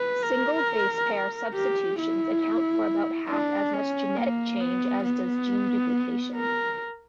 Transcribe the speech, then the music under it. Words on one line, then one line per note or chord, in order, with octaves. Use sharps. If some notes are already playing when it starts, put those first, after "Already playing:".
Single-base-pair substitutions account for about half as much genetic change as does gene duplication.
Already playing: B4
A#4
G4
E4
D4
C#4
A#3
B3
B3
A#4